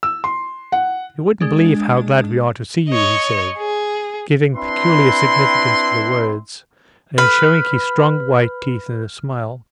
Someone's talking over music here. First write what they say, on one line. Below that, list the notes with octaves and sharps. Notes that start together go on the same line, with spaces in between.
"You wouldn't believe how glad we are to see you," he said, giving peculiar significance to the words, and showing his strong white teeth in a smile.
E6
C6
F#5
G#3 D4
C#5 D#5
G#4
C4 D4 E4 B4 C6
B4 F6